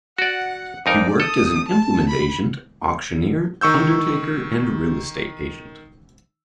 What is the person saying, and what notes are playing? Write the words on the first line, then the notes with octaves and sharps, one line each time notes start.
He worked as an implement agent, auctioneer, undertaker and real estate agent.
F#4 D5 F#5
F2 D#4 A#4 D5
A4 D#6
A5
B5
D#3 C#6 E6 G6